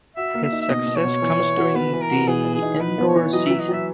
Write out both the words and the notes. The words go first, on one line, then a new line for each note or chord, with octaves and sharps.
His success comes during the indoor season.
F#4 E5
A#3
E5
D#4
E5
B2 D#5
B2
C#5
B2
E3
E3
F#4
B3 B4
E3
A#4
F#4
E3 G#4
E3
G#4
D#4
D#4 B4
B3
C#5
E3
F#3 D#5
F#3 E5
D#5
F#3 E5